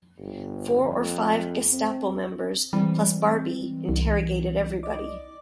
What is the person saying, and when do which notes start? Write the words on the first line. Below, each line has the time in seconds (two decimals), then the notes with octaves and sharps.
Four or five Gestapo members plus Barbie interrogated everybody.
0.19 G1
0.84 F2
1.73 C4
2.73 E3 G3 G#3 C4
3.89 C2
4.83 D5 D#5 D6